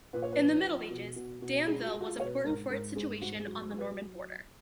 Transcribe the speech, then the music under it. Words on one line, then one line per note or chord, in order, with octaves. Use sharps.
In the Middle Ages, Damville was important for its situation on the Norman border.
A#2 B4
C#5
B4
F3
F3
B2
B2
B2
G#3 G#4
F4
F#4
G#3
F#4
F4
B2 C#5
B4
G#2 A#4
G#2 A#4
G#2 G#4
G#2 F#4
G#4
F#3
F#3
B4